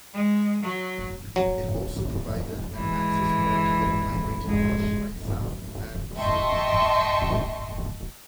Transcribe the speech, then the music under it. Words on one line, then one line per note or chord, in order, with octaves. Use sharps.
It also provided an access point for migrating fish like salmon and sturgeon.
G#3
F#3
F#3
E3 G#3
G#3
D#5 E5 G5 A5 C6 C#6